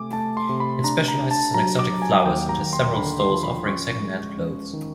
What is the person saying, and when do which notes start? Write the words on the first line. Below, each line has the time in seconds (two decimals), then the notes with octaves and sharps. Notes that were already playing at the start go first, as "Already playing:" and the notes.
It specialises in exotic flowers and has several stalls offering secondhand clothes.
Already playing: C3 A3 G#5 D6
0.13 A3 A5
0.37 C6
0.49 C3
0.60 B5
0.84 D4 A#5
1.08 A#5
1.19 D4
1.31 A5
1.54 F#3 A#5
1.79 D6
1.90 F#3
2.02 G#5
2.25 D#2 G5
2.49 A#5
2.61 D#2
2.73 C6
2.96 D3 B5
3.20 C6
3.31 F3
3.43 B5
3.67 C#4 C#6
4.02 G#3
4.37 C#4
4.73 D#3